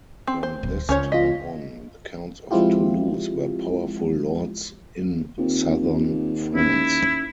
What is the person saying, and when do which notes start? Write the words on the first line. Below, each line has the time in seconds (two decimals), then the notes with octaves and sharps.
From this time on, the counts of Toulouse were powerful lords in southern France.
0.27 C4
0.43 C5
0.63 D1
0.89 C#2 C#4 C5 C#5
1.12 F4 D#5 B6
2.51 F3 G#3 C4 E4 F4 G4
5.38 D#2 C4 F4
6.55 C#4 E4